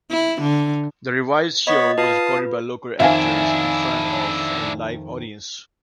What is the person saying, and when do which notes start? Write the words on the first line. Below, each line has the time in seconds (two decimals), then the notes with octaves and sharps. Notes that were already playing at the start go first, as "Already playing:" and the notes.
The revised show was recorded by local actors in front of a live audience.
0.10 E4
0.41 D3
1.67 B3 C#5 D#5 B5
1.98 F4 B4 F5 A5 D#6
3.00 F2 D#3 D4 E4 E5 F5 G#5